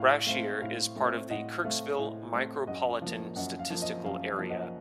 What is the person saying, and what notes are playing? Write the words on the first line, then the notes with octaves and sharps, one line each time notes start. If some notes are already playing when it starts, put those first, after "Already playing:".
Brashear is part of the Kirksville Micropolitan Statistical Area.
Already playing: A2 F5
A3 C4 F5
A2 F5
A3 C4
A2 D#5 F#5
A3 C4 F5
A2
A3 C4
F#2 D#5 F#5
F3 A#3
F#2 D#5 F#5
F5
F3 A#3
D#5
F#2 F5
F5
F3 A#3
D#5 F#5